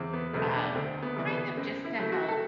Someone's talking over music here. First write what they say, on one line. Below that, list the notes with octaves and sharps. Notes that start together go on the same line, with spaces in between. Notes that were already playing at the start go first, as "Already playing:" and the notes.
Um, kind of just to help
Already playing: E2 C4
B3
B2 F#3 A3 C4
D4
D2 C4
B3
C3 E3 G3
B3
F#2 C4
E4
F#3 A3
F#4
A4